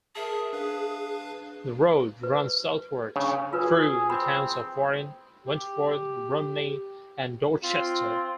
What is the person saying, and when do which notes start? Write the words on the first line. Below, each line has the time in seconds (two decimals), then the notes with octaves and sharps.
The road runs southward through the towns of Warren, Wentworth, Rumney, and Dorchester.
0.15 G#4 A#4 E5 A5
0.53 D4 B4 F5
2.23 B4
3.16 C#3 D4
3.53 F4 G#4 A#4 B4
4.10 C4 B5
5.44 G4
7.63 C4 F4